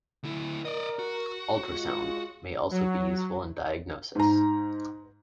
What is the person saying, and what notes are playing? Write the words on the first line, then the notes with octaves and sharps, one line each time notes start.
Ultrasound may also be useful in diagnosis.
D2 E4
A#4 D5 D#5
F#4
G#3 F4
F#3
G#2 A#5